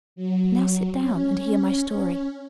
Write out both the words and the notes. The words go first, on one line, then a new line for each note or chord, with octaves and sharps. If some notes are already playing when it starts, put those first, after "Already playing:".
Now sit down and hear my story.
F#3
C#4